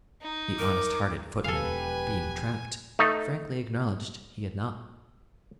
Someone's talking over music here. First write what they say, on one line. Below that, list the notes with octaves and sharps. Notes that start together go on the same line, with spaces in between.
The honest-hearted footman, being trapped, frankly acknowledged he had not.
D#4
A#4 D6
E1 F3 G4 A4 B4 F5 G#5
A3 D#4